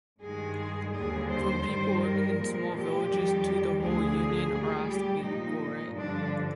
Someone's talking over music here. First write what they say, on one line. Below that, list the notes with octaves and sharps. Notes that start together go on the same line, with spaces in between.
From people living in small villages to the whole Union are asking for it.
G2 D#3 G#3 G#4
D#2 D3 G3 G#4
C5
G2 D#3 G3
A#4
A#2 F3 G#3
G4
F2 D#3 G3
D2 D3 F3 G#4
A#2 G3
G4
A#2 F3 G#3 D#4
G2 D3 F3 D4